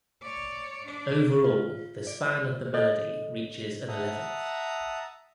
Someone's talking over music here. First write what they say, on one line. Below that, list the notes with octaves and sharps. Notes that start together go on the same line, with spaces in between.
Overall, the span of the melody reaches an eleventh.
C#5 D5
D4 D5
F4
D5
A4 C#5 D#5
E5 F#5 A5 A#5 D#6